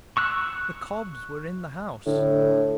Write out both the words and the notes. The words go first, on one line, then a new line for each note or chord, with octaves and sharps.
The cobs were in the house!
C#6 E6 F#6
A2 D3